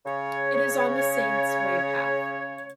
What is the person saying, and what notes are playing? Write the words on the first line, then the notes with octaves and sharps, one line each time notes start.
It is on the Saints' Way path.
C#3 C#5